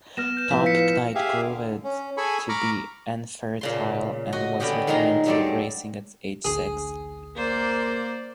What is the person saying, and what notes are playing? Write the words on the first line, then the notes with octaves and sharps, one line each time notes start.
Top Knight proved to be infertile and was returned to racing at age six.
B3 F6 A#6 E7
G6 E7
A2 F3 B3 E4 B4 F5
B6 C#7
G4 G#4 E5 F5
D3
C#4
G#4 A4 G#5 B5 C#6
A#5 B5 C#6 D6 F6
A#2 C#3 C6
F#4 D#5
D3 B3 C#4 G4 D#5
A#2 D#3 G#3 D#4 A#5 C6
G2 F#3 G#3 C4 A4 D5
A1 D2 G#4
A#3 C5 D5